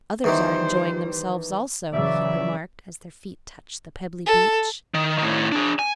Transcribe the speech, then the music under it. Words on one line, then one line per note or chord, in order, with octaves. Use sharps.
"Others are enjoying themselves also," he remarked as their feet touched the pebbly beach.
E2 D#3 E3 G3 C5
C#3 E3 F#3 D5 E5
A4
D#3
A2 D#3
D4 G#4
G#5